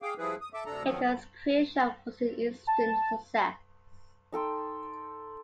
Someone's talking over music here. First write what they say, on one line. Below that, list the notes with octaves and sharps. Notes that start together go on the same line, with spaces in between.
Egan's creation was an instant success.
G#4 F5 G5 D6
F3 G3 E4 G#4 B4
D#6
A4 E5 D6
D2 C3 D4 A4 A#5
D#3 F3 F#3 B3 C4
A5
D#4 A4 G5 C6